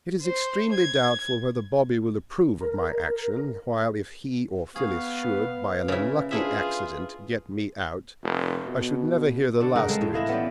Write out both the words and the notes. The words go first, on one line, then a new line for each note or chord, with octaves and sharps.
It is extremely doubtful whether Bobby will approve of my action, while if he or Phyllis should, by an unlucky accident, get me out, I should never hear the last of it.
C5
G#6
A#4
B3 G#4 F5 C#6
B4
A#2 C#3 E4
D4 E4 F4 G#4 E5
F1
B2
D3 A4 D5
C#3 A#4 F#5
G#3 C4 A4
A2
E3 E4 D#5 F5
B3 C#4 G4 D5